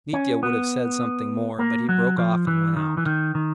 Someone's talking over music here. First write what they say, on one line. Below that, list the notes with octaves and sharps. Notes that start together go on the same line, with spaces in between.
Mitya would have said something more, but he broke off and went out.
C#4
B3
A#3
F#3
F3
E3
D#3
E3
D#3
D#3